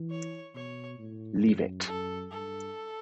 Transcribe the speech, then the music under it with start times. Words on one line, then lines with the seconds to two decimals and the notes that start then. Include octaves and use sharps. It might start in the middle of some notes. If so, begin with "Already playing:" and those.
Leave it.
Already playing: E3
0.10 C#5
0.55 B2 C#5
0.99 A2
1.42 F#2
1.86 F#2 A4
2.31 G2 A4